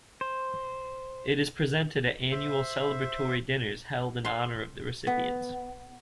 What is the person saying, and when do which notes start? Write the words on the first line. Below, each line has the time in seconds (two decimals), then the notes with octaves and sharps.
It is presented at annual celebratory dinners held in honor of the recipients.
0.21 C5
2.31 C5 E5
4.25 C6
5.07 B3